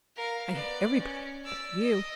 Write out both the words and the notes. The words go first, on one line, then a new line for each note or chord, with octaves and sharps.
I hate everybody--but you!
A#4 F5
B3 D5
C#4
D5 E6
D#5